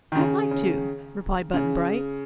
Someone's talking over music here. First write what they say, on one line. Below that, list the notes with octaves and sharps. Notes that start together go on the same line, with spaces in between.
"I'd like to," replied Button-Bright.
D#3
C#3
C#3
C#3